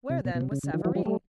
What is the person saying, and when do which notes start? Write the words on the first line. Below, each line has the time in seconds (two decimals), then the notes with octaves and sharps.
Where, then, was Savareen?
0.09 C3
0.25 B2
0.35 B2
0.41 C3
0.51 C#3
0.63 C#3
0.74 D#3 F3
0.85 E3 F#3
0.95 F3 G3
1.05 G3 A3